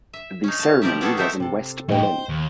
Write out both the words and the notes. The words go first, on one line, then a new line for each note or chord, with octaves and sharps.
The ceremony was in West Berlin.
E5
C#4 D#4
A5
F3 G3 G4 A#4 D5 E5
G3 B3 C#4 F#4 G#4 A4
D#4 A4 A#4 C5 E5
C3 A4
F#2 A2 D#5 G5
C5
D#2